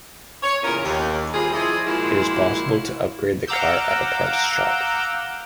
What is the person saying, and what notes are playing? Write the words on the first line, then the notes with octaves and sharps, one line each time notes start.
It is possible to upgrade the car at a Parts Shop.
C#5
E2 A#2 C#3 C#4 A#4
D#2
C3 G3 F4 G#4
F3 E4 G#4 D5 D#5
A#2 F3 G#3 E4 F#4
F5 F#5 A#5 D6 E6 G6